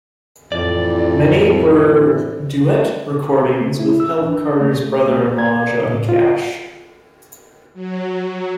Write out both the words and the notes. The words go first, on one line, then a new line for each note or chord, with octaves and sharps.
Many were duet recordings with Helen Carter's brother-in-law Johnny Cash.
F2 A2 C3 E3 D5
A3
E4
E6
D4
A3
A#3
G#6
A2
F4
F#3